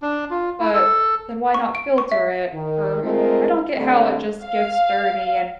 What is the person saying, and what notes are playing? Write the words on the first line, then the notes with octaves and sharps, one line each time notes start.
but then why not filter it, or I don't get how it just gets dirty and
D4
F4
E4
A4
C#6
D7
C#6
E5
D#3
G#3 A3 C4 D#4 F4 A#4
D3 G3 A3 C4
F5